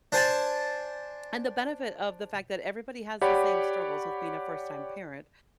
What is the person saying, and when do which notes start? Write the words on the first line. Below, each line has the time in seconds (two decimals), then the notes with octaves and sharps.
And the benefit of the fact that everybody has the same struggles with being a first-time parent
0.12 D4 C5 G#5 A5
3.21 G4 C#5 D5 F#5 B5